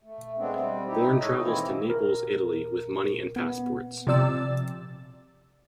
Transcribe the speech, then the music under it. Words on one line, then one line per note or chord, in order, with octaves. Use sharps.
Bourne travels to Naples, Italy with money and passports.
A3
G#3 A3 B3 C4 D4
G3 C4
D#4 E4 G4
G#3 D#4 A4 C#5 D#5
D#3 E3 A#3 C4 E4
A#4
B3
C3 F3 D5 E6 A6